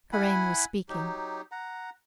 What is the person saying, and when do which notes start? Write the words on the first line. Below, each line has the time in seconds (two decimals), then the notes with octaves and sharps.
Karain was speaking.
0.13 E4 F#5 G#5 B5
0.89 F#3 D#4 G4
1.51 F#5 A#5